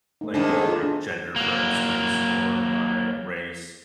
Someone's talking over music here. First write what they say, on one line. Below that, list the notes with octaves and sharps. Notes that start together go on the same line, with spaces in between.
like, uh, my gender, for instance, or my race.
A3 D#4
G#2 D3 D#3 C#4 D4
B3 G#4 A4
F4
D4
F#3 A#3